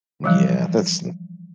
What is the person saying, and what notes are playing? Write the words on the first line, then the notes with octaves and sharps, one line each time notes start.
Yeah, that's n
E3 F3 G3